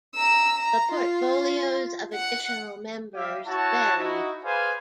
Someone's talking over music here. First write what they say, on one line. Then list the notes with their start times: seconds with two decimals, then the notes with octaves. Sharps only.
The portfolios of additional members varied.
0.15 A#5 E6
0.59 A#5
0.92 F4
2.14 F#5
3.15 G3 G4 E5 F5
3.47 E4 F#4 C#5 F#5 A5
3.97 D#4 E4 F#4
4.44 G#4 B4 C5 D5 F5 G#5